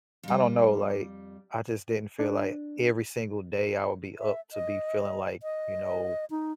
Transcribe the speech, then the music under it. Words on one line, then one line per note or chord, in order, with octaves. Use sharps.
I don't know, like, I just didn't feel like every single day I would be up to be feeling, like, you know,
F2 G3
D4
E5
D#5
D#5
D#4